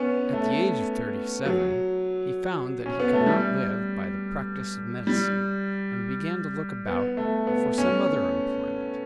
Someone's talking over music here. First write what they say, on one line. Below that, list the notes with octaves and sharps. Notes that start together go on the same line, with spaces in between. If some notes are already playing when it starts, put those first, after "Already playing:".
At the age of thirty-seven he found that he could not live by the practice of medicine, and began to look about for some other employment.
Already playing: B3 C#4
A3
F#3
C#4
B3
A3
G3
G3
B3
A3
B3
C#4